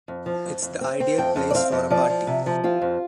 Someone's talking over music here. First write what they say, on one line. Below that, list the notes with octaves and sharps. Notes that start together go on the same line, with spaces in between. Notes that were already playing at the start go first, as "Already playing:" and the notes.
It’s the ideal place for a party.
F2
F3
F2
F2
C4
C4
F2 G5
F2
D5
C4 F5
F2
F3 D5
F3
C3
F3
C4 F4
F2